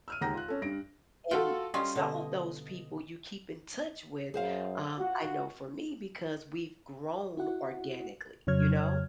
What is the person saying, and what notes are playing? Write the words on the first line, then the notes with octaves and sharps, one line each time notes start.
And some of those people you keep in touch with, um, I know for me, because we've grown organically. You know?
E6 F6 D#7
D#2 G#3 F#5 A#5 G6 A#6
F4 F#6
C#4 A4
G2 A#6 D7
F4 F#4 A4 G5
G3 C#4 F4 D#5
B2 D3
F#2 G#4 C5 F5
F4 F#4 F#5
E4 F#4 F#5
F2 C#3 F#3 C#5 F6 G#6